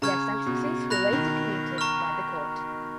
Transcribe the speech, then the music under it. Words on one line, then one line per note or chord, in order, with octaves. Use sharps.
Their sentences were later commuted by the court.
C#3 A#5 C#6 F6 G#6
B2
B2 B5 F#6 A#6 F7
D#3
A#5 C#6 F6